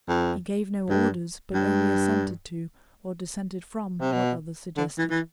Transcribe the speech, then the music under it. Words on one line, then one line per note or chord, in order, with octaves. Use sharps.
He gave no orders, but only assented to or dissented from what others suggested.
F2
G2
G2
C3
B2
D3
E3
E3